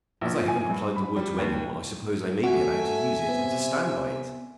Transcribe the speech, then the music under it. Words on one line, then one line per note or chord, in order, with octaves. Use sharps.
As I haven't applied the word to anyone I suppose I may be allowed to use it and to stand by it.
A#1
F3
G#5
G2
B5
G3
D#2
A3 F#4 E5 G#5
C3 B3